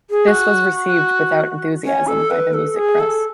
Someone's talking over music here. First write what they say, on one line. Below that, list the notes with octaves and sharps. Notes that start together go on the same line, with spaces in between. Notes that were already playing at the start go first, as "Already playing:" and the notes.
This was received without enthusiasm by the music press.
G#4
F#4
C#4
A4
B4
A4
G#4
A4